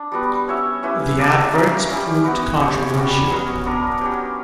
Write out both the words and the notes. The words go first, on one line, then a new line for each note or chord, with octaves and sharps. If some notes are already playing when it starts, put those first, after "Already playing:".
The adverts proved controversial.
Already playing: D4
G3 B3 F#4 B4
C#4 F#4 C#5 E5
C#4 E4 G4 B4
A#3 D4 A#4 D5
C#4 G4 A#4
G3 C#4 G4
B3 F#4 B4
F#3 C#4 G4 C#5
G3 C#4 F#4
F#3 B3 F#4 A#4
B3 D4 A#4
F#3 C#4 G4